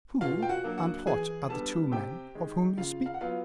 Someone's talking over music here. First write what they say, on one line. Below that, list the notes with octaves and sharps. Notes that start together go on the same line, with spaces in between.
"Who and what are the two men of whom you speak?"
B2 F4 F5
G5
F#4 F#5
F#3 A#3 D4
F#4 F#5
E3 G#4 G#5
G3 B3 D4 A4 A5
C3 G4 G5
D#3 G#3
C#3 F4 F5
F5
F#5
F#3 B3 F4 F5